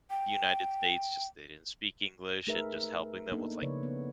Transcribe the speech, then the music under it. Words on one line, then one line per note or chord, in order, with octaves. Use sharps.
United States, just they didn't speak English and just helping them with, like,
G5
A3 D#4 G#4 A#4 B4 E5
A#3 B3 D4 D#4 A4
C#3 F3 B4 C#5 D5
B3